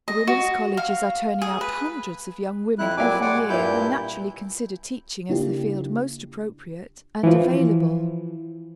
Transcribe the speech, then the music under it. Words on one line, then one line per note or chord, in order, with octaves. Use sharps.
The women's colleges are turning out hundreds of young women every year who naturally consider teaching as the field most appropriate and available.
D#5
F#4
F5
G#4
B4
F2 E4 F#6
A#2 F#3 G3 G#5 D6
G#3 D5 F#5 G#5 D6
G2 A#2 E4 G6
C#3 A#3 D4 E4 F4 G4
E3 F3